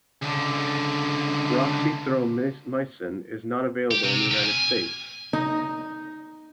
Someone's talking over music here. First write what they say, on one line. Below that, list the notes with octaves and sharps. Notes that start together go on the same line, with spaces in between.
Roxithromycin is not available in the United States.
C#2 D3
G4
C3
F4 G4
G#5
D#4